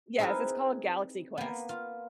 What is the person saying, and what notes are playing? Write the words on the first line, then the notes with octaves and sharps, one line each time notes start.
Yes, it's called Galaxy Quest.
C4 D#4 E4 G#4 A#4 B4
A#3 B3
F4